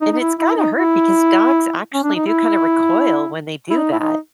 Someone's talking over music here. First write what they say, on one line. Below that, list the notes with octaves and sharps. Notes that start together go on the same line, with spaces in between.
And it's gotta hurt because dogs actually do kinda recoil when they do that.
D#4
D#4
E4
E4
D#4
E4
C#4
D4
D#4
E4
E4
D#4
E4
D#4